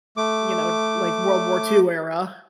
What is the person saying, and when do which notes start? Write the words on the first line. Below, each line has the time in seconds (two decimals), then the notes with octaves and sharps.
you know, like World War II era.
0.17 A3 D6